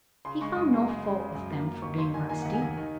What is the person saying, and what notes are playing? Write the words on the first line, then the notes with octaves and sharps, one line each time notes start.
He found no fault with them for being rusty.
C#3 C6
G#3 C#6
F#2 D#6
G#3
C#3
C#3
C#3
F#2
A#3
A#3
D#2 C#6
D#2 C6
D#3 G#5
A#3 G#5
D#2 F#5
G#5
D#2
D#3